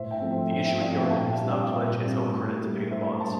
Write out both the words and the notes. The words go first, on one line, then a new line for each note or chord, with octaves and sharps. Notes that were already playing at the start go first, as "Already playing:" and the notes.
The issuing government does not pledge its own credit to pay the bonds.
Already playing: A2 C5 E5
E5 G5
F3 A3 C4
C5 E5
A2 E5 G5
E5 G5
F3 A3 C4 D5 F5
E5 G5
A#2 F5 A5
E5 G5
G3 C4
D5 F5
A#2 C5 E5
G3 C4
A2
G3 A#3
A2 C5 E5
G3 A#3 A5 C6